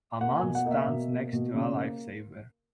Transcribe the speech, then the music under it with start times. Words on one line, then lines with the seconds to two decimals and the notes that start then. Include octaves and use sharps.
A man stands next to a life saver.
0.21 A#3 F#5
0.37 G#5
0.43 B2
0.55 F#5
0.65 A#3 D#5
0.71 E5
0.87 B2
1.10 A#3
1.33 B2
1.55 C#3
1.77 A#3